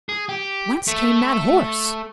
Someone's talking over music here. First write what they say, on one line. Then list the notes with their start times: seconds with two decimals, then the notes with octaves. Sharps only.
Whence came that horse?
0.09 G#4
0.29 G4
0.88 A3